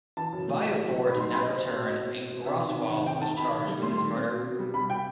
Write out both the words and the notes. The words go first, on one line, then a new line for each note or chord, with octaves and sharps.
Viafore did not return, and Graswald was charged with his murder.
E3 A5
F#2
A3
A2
F#3
F#3
D#4 B5
C6
F#3
B5
C4 D#5
B2 C5
B2 C5
B2 D#5
B2
C4
B2
C3 E5
D#3
C3
D#3 F#5
D#3 G5
D#3 A5
C3 B5
D#3
G3
A3 C6
D#3
C4
B2
B2
G3
C3 B5
G5